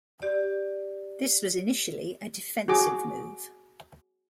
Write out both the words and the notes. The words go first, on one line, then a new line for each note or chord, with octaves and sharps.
This was initially a defensive move.
G4 D5
F#4 G#4 D6